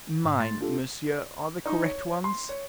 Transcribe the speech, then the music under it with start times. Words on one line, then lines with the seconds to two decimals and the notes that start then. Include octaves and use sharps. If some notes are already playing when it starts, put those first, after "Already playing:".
"Mine, monsieur, are the correct ones."
0.25 G#2
0.40 A3 C6 A6
0.61 D4 F4 G4 A4
1.66 D#4
1.84 C#5
2.24 C6
2.49 C#5